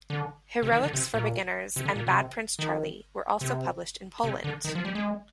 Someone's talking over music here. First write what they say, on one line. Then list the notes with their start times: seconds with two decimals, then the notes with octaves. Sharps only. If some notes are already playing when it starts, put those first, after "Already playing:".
"Heroics for Beginners" and "Bad Prince Charlie" were also published in Poland.
0.10 D3
0.63 C3
0.72 D#3
0.83 D3
0.93 C3
1.14 A#2
1.76 C3
1.85 D3
1.96 A#2
2.07 C3
2.59 D#3
3.41 C3
4.24 C3
4.44 D3
4.64 D#3
4.75 F3
4.85 G3
4.95 G#3